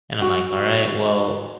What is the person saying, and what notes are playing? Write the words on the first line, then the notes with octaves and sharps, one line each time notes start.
And I'm like, "Alright, well"
F#4